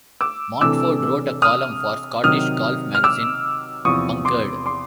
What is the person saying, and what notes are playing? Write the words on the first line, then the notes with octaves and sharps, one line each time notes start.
Montford wrote a column for Scottish golf magazine, "Bunkered".
D6 E6
C3 E3 A3 D4 D6 E6
D#6 F6
C3 D#3 F#3 D#6 F6
F6
D6 E6
E2 C3 F3 C#6 D#6
C6 D6
C6 D6